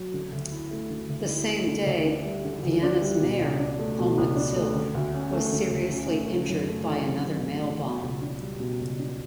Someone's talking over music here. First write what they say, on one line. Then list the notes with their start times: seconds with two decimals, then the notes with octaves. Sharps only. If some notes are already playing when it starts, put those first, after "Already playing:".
The same day Vienna's mayor Helmut Zilk was seriously injured by another mailbomb.
Already playing: F#3
0.14 D3
0.32 D2
0.52 E4
0.71 A3
0.90 D3
1.09 D2
1.29 E4
1.48 A3
1.67 D3
1.86 D2
2.06 D4
2.25 G3
2.45 D3
2.63 D2
2.83 D4
3.02 G3
3.21 B2
3.41 C#2
3.60 D4
3.79 A3
3.99 B2
4.18 C#2
4.36 D4
4.56 A3
4.75 D3
4.95 D2
5.14 C#4
5.33 A3
5.53 D3
5.71 D2
5.91 C#4
6.10 A3
6.29 C#3
6.49 F#2
6.68 A3
6.87 E3
7.06 C#3
7.26 F#2
7.45 A3
7.63 E3
7.83 B2
8.02 C#2
8.22 D4
8.41 G3
8.60 B2
8.80 C#2
8.99 D4